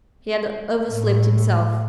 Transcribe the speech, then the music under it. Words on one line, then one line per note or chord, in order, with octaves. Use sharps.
He had overslept himself!
A2